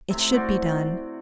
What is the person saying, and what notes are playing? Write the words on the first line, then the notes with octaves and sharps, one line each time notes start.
It should be done!
A2 C3 E5 A#5
F#4 C5 D5 F#5